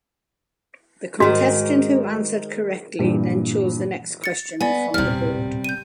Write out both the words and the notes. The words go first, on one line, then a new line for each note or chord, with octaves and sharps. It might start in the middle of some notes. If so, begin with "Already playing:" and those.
The contestant who answered correctly then chose the next question from the board.
G#2 D#3 F#4
G2 A#2 E3 G3
A6 C#7
B3 D5 G#5
D#1 A1 C3 G3 F6
G6 D#7